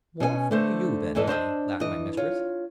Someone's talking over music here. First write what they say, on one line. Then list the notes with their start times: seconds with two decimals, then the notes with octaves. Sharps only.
"More fool you, then, Bunny," laughed my mistress.
0.20 B2 C#4 D#5 G#5
0.51 D3 A3 C5
1.15 E2 G#2 E3 A4 D#5
1.27 D4 C5 D#5 E5
1.80 E3 D#5
2.17 F4 C#5